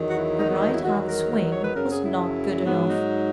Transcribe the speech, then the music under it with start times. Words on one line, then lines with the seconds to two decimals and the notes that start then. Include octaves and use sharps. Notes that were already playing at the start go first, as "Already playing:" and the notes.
Her right hand swing was not good enough.
Already playing: E2 D#3 F#3
0.09 F#4
0.16 E4
0.38 D#4
0.49 B3
0.60 D#4
0.73 E4
0.83 E2 D#3 F#3 F#4
1.06 A#4
1.30 A#4
1.41 A#4
1.52 C#5
1.64 B4
1.74 F#2 C#3 F#3 A#4
1.90 G#4
2.04 E4
2.65 G#2 F#3 B3
2.88 D#4